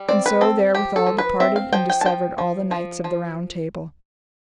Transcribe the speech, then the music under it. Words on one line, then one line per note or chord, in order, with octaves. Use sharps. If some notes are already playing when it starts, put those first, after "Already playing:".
And so therewithal departed and dissevered all the knights of the Round Table.
Already playing: G3
C4 D5
B4
C4 A4
F3 G4
A4
F3
B4
C4 E5
F5
F3 G5
G5
A5
F3 G5
F3
F3
F3